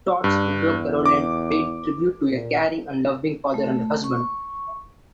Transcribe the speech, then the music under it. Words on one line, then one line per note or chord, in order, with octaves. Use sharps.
Todd's widow Carolyn paid tribute to a caring and loving father and husband.
G2
E2
D6
A#2
A3
C#6